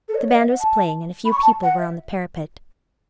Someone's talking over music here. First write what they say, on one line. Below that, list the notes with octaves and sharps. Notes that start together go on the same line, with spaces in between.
The band was playing, and a few people were on the parapet.
A4
D#5
C#5
D#5
E5
F#5
A5
B5
C#6
A5
F#5
E5